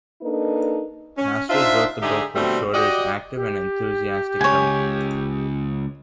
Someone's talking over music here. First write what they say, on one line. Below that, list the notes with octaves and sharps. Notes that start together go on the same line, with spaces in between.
Masters wrote the book with Shorter's active and enthusiastic help.
A#3 D4 D#4 A4 B4
C#4
D4 D#4 F4 C5 E5
G#2 D3 D#4 G4 G#4 E5
B2 D3 G3 A3 C4
F#4 G4 D5 D#5
G4
C#2 C#5 G#5